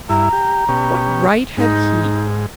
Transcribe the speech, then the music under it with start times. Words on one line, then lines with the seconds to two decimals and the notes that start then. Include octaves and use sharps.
What right had he?
0.09 G2 E4 A#5
0.33 G4
0.68 B2 C#4 G4
1.57 G#2 D#4